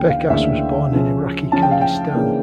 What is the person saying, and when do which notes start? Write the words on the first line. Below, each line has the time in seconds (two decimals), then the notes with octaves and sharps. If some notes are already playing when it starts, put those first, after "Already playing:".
Bekas was born in Iraqi Kurdistan.
Already playing: D2 C#3 E3 A#3 D4 G5
0.09 F5
0.30 D2 C#3 E3 A#3 D4 E5
0.91 C#3 F3 C#4
1.52 C#3 F3 C#4 A5
1.62 G5
1.71 F5
1.81 G5
2.13 C#3 E3 A#3 D4